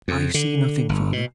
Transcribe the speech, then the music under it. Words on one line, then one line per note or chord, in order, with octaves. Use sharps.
"I see nothing, father."
F2
D3
G1
B2